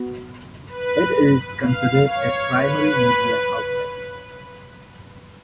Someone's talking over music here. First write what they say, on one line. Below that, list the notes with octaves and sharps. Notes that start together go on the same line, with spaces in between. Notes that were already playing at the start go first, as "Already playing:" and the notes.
It is considered a primary media outlet.
Already playing: B3 F#4
B4
F5
C#5
B4